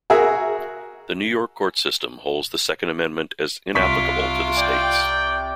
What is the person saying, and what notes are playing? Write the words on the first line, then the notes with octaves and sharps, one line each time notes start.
The New York Court System holds the Second Amendment as inapplicable to the states.
F#4 G#4 A#4 E5
C2 F4 C#6 D6 B6
D5 G5